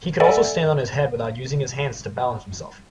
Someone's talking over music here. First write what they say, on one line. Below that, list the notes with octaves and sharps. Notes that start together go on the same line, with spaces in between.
He could also stand on his head without using his hands to balance himself.
A4 D5 E5 F#5 G#5